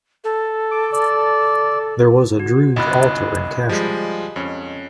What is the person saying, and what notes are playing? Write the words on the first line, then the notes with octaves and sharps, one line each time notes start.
There was a druids altar in Cashel.
A4
D6
D5
F#4
G1 C2 D#5 B5 F#6
F3 G3 G#3
F2 C#4